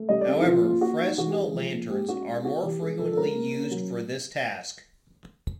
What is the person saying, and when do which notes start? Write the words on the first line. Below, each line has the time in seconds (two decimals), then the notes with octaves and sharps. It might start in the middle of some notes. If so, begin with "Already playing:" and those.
However, fresnel lanterns are more frequently used for this task.
Already playing: A3
0.09 G3 D#5
0.21 D5
0.27 C4
0.33 A4
0.40 E4
0.45 F3 F4
0.63 A#3 F4
0.81 A#3 F#4
1.00 D#4
1.18 E3 F#4
1.30 G4
1.36 G#3
1.42 G#4
1.54 F3
1.72 A#3
1.90 G#3 G4
2.08 C#4 F#4
2.26 G#3
2.45 B3 F#4
2.62 E3 G4
2.81 G#3 G#4
2.99 F3 A4
3.12 A4
3.17 G#3 A#4
3.35 A#3
3.53 C#4
3.71 F#3